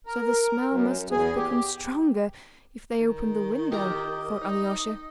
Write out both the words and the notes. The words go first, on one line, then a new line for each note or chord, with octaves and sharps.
"So the smell must have become stronger, if they opened the window," thought Alyosha.
A#4
F#2
E2 G#4
G4
D#3
G4 A#4 D#5 A#5
D#4